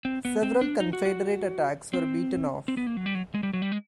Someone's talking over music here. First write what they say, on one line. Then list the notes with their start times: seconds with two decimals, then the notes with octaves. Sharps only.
Several Confederate attacks were beaten off.
0.05 C4
0.25 B3
0.43 C4
0.61 D4
0.80 D#4
0.93 F#4
1.06 F#4
1.93 C4
2.68 C4
2.77 B3
2.87 A#3
2.97 F#3
3.06 G3
3.15 F#3
3.35 G#3
3.43 G3
3.53 F#3
3.62 G3
3.72 G#3